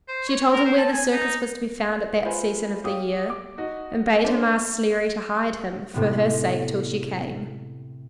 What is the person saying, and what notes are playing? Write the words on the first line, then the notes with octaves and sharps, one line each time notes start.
She told him where the circus was to be found at that season of the year, and bade him ask Sleary to hide him for her sake till she came.
C5
C#5
A#4
C5
A5
G#5
D#4
F4 B4 C5 G#5
G4 C#5 F5 D#6
D6
D#4 F#4 D#5
D4 C5
A2 C3 B3